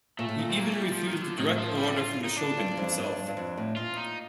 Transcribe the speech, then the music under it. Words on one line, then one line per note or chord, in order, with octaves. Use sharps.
He even refused a direct order from the Shogun himself.
A#2 A3
A2
A#2
C4
A#3
A3
G3
F3
D#3
D3
A2 D#3
D#3
F3
G3
F4
D#4
D4
G2
G2
F2
G2
G2
F2
A2
A#2 F4
D#4